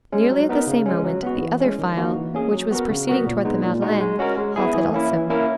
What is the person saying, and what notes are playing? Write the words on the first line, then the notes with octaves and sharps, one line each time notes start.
Nearly at the same moment, the other file, which was proceeding towards the Madeleine, halted also.
G#3 C#4
F#3
B3 D#4 A#4
C#3
G#3 C#4
F#3
B3 F#4
E3
G#3 C#4
D#3
A#3 D#4 F#4
E3
A#3 C#4 G#4
F#3
B3 F#4 A#4
C#3
F#3 B3 F#4 A#4
A#2
G#3 B3 D#4
A#2
G#3 D#4 F#4
G#3
C#4 F#4 A#4
G#3
B3 E4 G#4
E3
A#3 C#4 E4
E3
A#3 C#4 E4 A#4